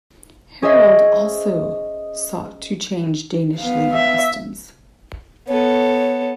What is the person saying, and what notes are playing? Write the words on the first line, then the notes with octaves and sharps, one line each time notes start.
Harald also sought to change Danish legal customs.
C#4 G#4 C5 D#5 E5
B3 F5
E5
B3 A4 C#5